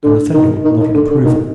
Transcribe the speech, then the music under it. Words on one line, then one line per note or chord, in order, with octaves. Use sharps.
Sir Nathaniel nodded approval.
D3
D#3
D#3
D#3
D3
D3
D#3